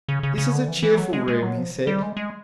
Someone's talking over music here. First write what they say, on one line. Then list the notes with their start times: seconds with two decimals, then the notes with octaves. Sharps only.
"This is a cheerful room," he said.
0.08 C#3
0.23 C#3
0.38 C#3
0.53 D3
0.68 E3
0.83 E3
0.98 F#3
1.13 G#3
1.28 G#3
1.42 F#3
1.57 F3
1.87 G3
2.02 G#3
2.17 G#3